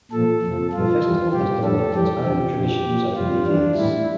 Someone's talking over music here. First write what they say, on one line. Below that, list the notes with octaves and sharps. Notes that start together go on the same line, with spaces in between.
The festival has developed its own traditions over the years.
A#2 F3 A4
F2 C3 F3
G2 F3 F4
E2 E3 G3
G2 F3 G4
F2 D3 G3 A4
F2 E3 G3 G4
E2 D3 F3
F2 D3 F3
A#2 F3
F2 C3 G3 F4
E2 E3 G3 D4
A2 E3 G3 E4